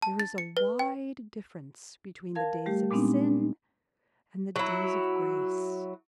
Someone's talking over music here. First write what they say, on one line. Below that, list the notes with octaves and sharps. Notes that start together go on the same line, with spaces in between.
There is a wide difference between the days of sin and the days of grace.
A5
A6
C#7
B4
G5
A#4 F5 A5 G#6
G3 A3 G4
A#2 G#3 B3 C4 D4 D#4
F#3 E4